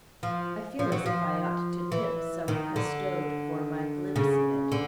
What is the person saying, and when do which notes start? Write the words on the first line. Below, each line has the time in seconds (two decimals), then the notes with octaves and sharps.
I feel as if I ought to 'tip' some custode for my glimpse of it.
0.23 F3
0.79 F3
0.92 F#3
1.06 F3
1.92 E3
2.48 D#3
2.76 D3
4.16 C#3
4.72 D3